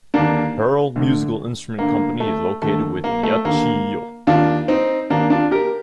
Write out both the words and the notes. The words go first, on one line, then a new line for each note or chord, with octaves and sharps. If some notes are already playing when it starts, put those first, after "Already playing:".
Pearl Musical Instrument Company is located within Yachiyo.
D#2 D3 A#3 D4
D2 D3
D2 D3 A#3
A3
D#2 D3 A3
A#3
A3
D#2 D3 A#3
D#2 D#3 D4 F4
C4 D#4
D#2 D#3 A#3 D4
D4 F4
G4 A#4